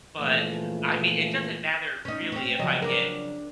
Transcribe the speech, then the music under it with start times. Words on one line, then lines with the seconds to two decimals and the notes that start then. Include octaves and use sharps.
but I mean, it doesn't matter really if I get,
0.17 A#2 C#3 E3 F3 A3
2.05 C#4 D#4
2.32 C4 C#4
2.59 C#3 F3 F#3 D#5
2.82 D4 A#4